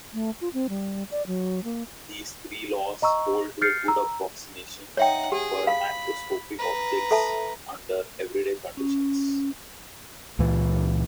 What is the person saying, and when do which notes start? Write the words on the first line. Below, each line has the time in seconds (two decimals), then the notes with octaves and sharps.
These three laws hold to a good approximation for macroscopic objects under everyday conditions.
0.14 A3
0.41 F4
0.54 C4
0.69 G3
1.11 D5
1.27 F#3
1.64 A#3
3.02 D#5 A#5 C#6 E6
3.62 F6 G6 A6 C7 C#7
3.88 A#5 E6
4.97 D#4 C#5 E5 F#5 G5
5.32 G4 G#4
5.67 F5 B5
6.59 B4 A#5
7.11 A4 E5 A5
8.77 C#4
10.39 C#2 A#2 E3